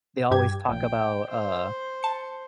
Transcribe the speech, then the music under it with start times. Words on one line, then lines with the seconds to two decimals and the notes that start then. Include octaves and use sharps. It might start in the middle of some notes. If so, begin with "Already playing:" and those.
they always talk about, uh,
0.31 G2 G4 G#6
0.69 A#1 A#2 G5
1.30 C5
2.03 A5 C#7